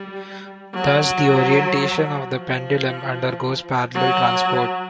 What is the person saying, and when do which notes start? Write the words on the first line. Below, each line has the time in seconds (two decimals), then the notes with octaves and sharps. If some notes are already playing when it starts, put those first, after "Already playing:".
Thus the orientation of the pendulum undergoes parallel transport.
Already playing: G3
0.73 F#3
2.33 F3
3.93 F#3